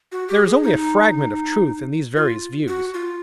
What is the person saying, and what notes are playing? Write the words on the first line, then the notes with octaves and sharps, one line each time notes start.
There is only a fragment of truth in these various views.
F#4
G4
G#4
D#4
F4
F#4
F4